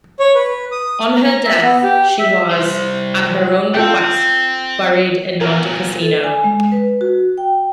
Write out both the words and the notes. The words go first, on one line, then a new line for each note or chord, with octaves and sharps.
On her death, she was, at her own request, buried in Montecassino.
C#5
B4
D#6
A#5
E5
B3
G4
E5
G3 C5
C4 F4 A4 G5
B1 A#2 A#4
A4
G#5
G#3
B4
F#4
G5